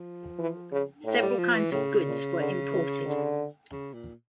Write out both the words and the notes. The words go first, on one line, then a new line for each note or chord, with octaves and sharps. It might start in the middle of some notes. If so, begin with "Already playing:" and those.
Several kinds of goods were imported.
Already playing: F3
E3
C#3
A2
G3
F3
E3
A2 C#3
A#2
D3
E3
D3
C#3
A#2